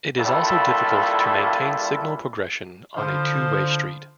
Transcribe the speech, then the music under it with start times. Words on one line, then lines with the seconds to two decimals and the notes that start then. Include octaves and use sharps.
It is also difficult to maintain signal progression on a two-way street.
0.18 A#1 G3 D4 E4 F4 A4
2.97 D3 F3 D4 E4 C5